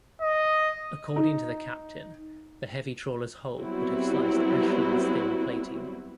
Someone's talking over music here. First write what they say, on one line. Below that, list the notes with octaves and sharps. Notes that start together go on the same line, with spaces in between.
According to the captain, the heavy trawler's hull would have sliced "Aisling"'s thin plating.
D#5
D#4
F#3 G3 B3 C4 E4 F#4